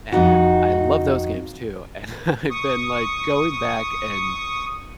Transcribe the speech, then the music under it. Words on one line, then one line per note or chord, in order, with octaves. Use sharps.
And I love those games too, and I've been, like, going back and
F2 D#4 F#4
C#6 D#6